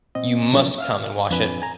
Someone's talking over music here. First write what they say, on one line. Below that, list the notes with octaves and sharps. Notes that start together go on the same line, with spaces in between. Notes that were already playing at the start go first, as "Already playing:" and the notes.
You must come and wash it.
A#2 C4 D#5
C#3 F3 F#3 A#3 C#4 D4
E5 F5 F6
F2 D4 B4 G#5
G#5 A#5